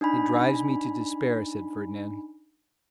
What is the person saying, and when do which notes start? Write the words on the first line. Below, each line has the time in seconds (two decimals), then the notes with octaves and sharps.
"It drives me to despair," said Fernand.
0.01 D4 D#4 G#5 B5